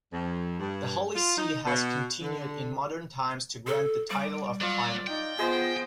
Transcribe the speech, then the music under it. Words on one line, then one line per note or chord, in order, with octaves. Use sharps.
The Holy See has continued in modern times to grant the title of Primate.
F2
G2
F4
D#4
B2
D3
A4
G3 D6
F#3 F4 D5
D#4 G5
B3 F4 G#4 C5 D#5